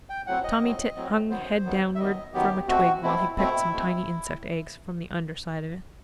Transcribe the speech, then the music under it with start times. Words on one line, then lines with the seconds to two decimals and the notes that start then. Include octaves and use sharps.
Tommy Tit hung head downward from a twig while he picked some tiny insect eggs from the under side of it.
0.10 G5
0.27 A2 F#3 C4 F#5
0.44 D#5
0.61 A2 F#3 C4
0.96 A2 F#3 C4
1.30 F#2 D#3 F#3 B3 C5
1.64 F#2 D#3 F#3 B3
1.95 E5
1.99 F#2 D#3 F#3 B3 D#5
2.34 F#2 D#3 F#3 B3 G4
2.68 B2 A3 C4 F#4
3.02 B2 A3 C4 E4
3.37 B2 A3 C4 E4
3.72 B2 A3 C4